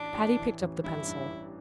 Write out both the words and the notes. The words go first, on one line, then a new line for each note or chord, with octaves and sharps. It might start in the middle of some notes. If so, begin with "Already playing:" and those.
Patty picked up the pencil.
Already playing: A1 D4
A1
E3
A1
G2 E4
G2
G2